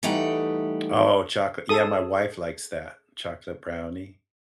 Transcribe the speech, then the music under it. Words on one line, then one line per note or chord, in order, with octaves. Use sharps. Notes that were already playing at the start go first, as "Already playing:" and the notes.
Oh, chocolate. Yeah. My wife likes that. Chocolate brownie.
E3 G3 A3 D#4 F#5 G5
G#4 A4 D#6